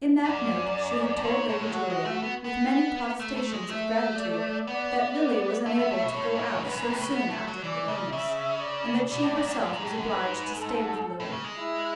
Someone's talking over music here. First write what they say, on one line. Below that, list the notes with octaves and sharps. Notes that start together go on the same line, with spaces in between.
In that note she had told Lady Julia, with many protestations of gratitude, that Lily was unable to go out so soon after her illness, and that she herself was obliged to stay with Lily.
F#2 D5
A2
G#2 C#5
A2
G#3
F#3 F#4
G#3
A3
B3
B3
A3
A3
G#3
A3 E5
D5
B3 D5
D5
A3 E5
B3
A3
B2
A2 C#5
G#2
A2
G#2
F#2 B4
G#2
A2
C#3
B3
A3
F#3
E3 D5
C#3
C#3 E5
D5
B2 D5
A2
G#2
F#2
F#2
G#2
A2
F#2
G#2 B4
A4
A2
C#3
G#3
E4